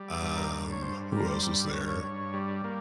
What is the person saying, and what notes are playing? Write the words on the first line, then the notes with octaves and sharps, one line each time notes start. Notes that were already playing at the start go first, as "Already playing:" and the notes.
Um, who else was there?
Already playing: G3
G2
A#4
G2
C#5
G2 C5
G3 A#4
C5
G2
G2 C#5
C#5
G2
G3
A#3